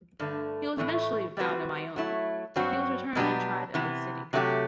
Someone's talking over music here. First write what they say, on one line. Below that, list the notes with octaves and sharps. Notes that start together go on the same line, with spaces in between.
He was eventually found in Wyoming; he was returned and tried in Lake City.
G2 D3 A3
A2 E3 A3
G3 C4 F#4 B4
F#3 A3 E4
G2 F#3 C4 F#4
B2 F#3 B3 D4 G4
C3 E3 B3
C3 F#3 A3 E4 G4